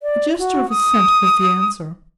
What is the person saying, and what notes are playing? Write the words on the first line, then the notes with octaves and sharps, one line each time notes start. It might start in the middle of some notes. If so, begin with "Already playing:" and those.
A gesture of assent was the answer.
D5
F#4
D#6